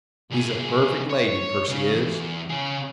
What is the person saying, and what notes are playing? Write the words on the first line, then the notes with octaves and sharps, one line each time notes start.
He's a perfect lady, Percy is.
C2 G#4
C#5
C#3
E2
C#3 G#4